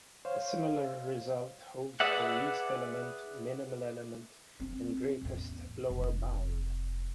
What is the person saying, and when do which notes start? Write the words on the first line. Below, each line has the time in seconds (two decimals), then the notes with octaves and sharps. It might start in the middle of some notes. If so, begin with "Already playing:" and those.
The similar result holds for least element, minimal element and greatest lower bound.
0.25 C5 C#5 F5
2.00 G#4 B4 D5 E5 F#5
4.60 C4 D4
5.21 A1 E2
5.90 F1